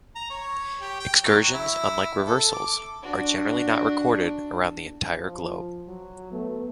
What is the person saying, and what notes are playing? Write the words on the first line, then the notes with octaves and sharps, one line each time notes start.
Excursions, unlike reversals, are generally not recorded around the entire globe.
A#5
C#5
G4
G5
F#3
E4
A4
D6
D4 F#4
F3
F#3
A3 B3